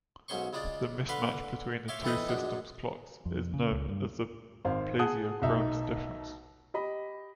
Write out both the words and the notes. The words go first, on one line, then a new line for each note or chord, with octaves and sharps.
The mismatch between the two systems' clocks is known as the plesiochronous difference.
B1 G#2 C#4 C5 C6 C#6
C#3 G#3 F4 D5
D3 B4 F5 B5 C6
C#5 E5 F5 C6 D6
E3 C4 A4 B4 D#5
A#1 F#2 G#3 D4
F2
C#3
C#2
G2
G#1 C4 F5
G#4 F#5 A5 D#6 F#6
B1 B2 D#4 E5
G4 D#5 B5